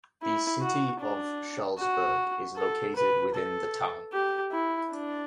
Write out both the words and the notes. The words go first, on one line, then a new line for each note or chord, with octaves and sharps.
The City of Shullsburg is located within the town.
E4
F#4
D4
F#4
A4
B4
A4
G4
E4
D4